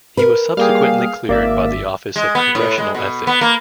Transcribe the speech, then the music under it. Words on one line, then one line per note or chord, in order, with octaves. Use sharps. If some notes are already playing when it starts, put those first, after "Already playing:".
He was subsequently cleared by the Office of Congressional Ethics.
A#4 B4
G3 A#3 G#4 F5 G5
G#1 A#3 D5 E5
G#3
B3
A2
G#3
B2
B3
A#3